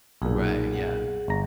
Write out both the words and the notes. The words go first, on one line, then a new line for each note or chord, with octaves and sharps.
Right, yeah.
B1 A#2 D#4 G#4
G#4 F#5
G1 A#5